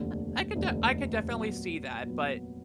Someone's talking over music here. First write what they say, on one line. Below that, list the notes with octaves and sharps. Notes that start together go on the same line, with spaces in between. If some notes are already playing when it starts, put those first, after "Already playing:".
I I could de I could definitely see that, but,
Already playing: F1 D#2 D3
F1 D#2 D3
A#2 F#3 B3
A#2 F#3 B3